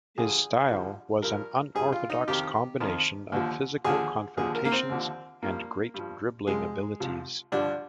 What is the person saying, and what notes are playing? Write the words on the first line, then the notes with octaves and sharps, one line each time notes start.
His style was an unorthodox combination of physical confrontations and great dribbling abilities.
G2 D3 F3 G#4
G2 D3 F3
G2 F3 A#4
G2 F3 G#4
F4
D#4
F2 D#3 G4
F2 D#3
D#2 D3 F3
D#2 D3 F3 G#4
D#2 D3 F3 G#4
A#4
A#3
C4
D#2 D3 F3
G2 F3 A#3
G2 F3
C2 C3 F3 G#3
C2 C3 F3
G2 D3 F3 D4